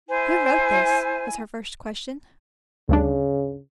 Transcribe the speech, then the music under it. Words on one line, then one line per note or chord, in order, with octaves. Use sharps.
"Who wrote this?" was her first question.
E4 C5 G#5
D2 G2 C#3 D4